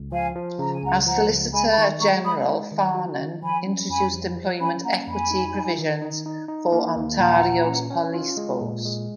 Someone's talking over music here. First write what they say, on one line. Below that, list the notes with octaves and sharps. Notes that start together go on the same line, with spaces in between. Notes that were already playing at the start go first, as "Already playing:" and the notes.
As Solicitor-General, Farnan introduced employment equity provisions for Ontario's police force.
Already playing: C#2
F3 F5 G#5
F3
C#3 A#5
G#5
C#2 F#5 A#5
F3 F#5 A#5
C#2
G#3 G#5 B5
B5
D#3 A#5 C#6
G#3 A#5 C#6
G#3 B5 D#6
G#3
D#3
F#4
D#3
F3 G#5 B5
C#4
F2 G#5 B5
F3
F3
C#4 G#5 B5
A#3 F#5 A#5
F2 G#5 B5
D#4
D#4
D#3
D#4
D#4
D#4
A#3
D#2
A#2 F#5 A#5
A#2
C#4
C#4
F4
G#3
A#2
G#3